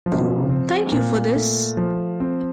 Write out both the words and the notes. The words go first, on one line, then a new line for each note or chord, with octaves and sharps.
Thank you for this.
F3
C4
A#2
A3
F3
C4